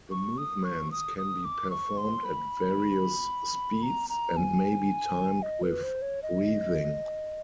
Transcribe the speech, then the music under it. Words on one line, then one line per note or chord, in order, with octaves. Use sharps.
The movements can be performed at various speeds and may be timed with breathing.
C#6
D#6
C#6
D#6
D#6
D6
C#6
C6
B5
A#5
A#5
G#5
D#5
B4
C5
C#5
D#5